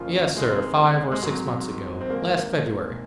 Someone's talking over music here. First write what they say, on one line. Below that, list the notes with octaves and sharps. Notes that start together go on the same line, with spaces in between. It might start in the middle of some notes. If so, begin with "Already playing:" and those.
"Yes, sir, five or six months ago--last February."
Already playing: F#1 F#2 C#3 F3 F4
C#2 C3 D#3 G#3
G#3
G#1 G#2 D#3 F#3
C4
A#1 G#2 D#3 A#3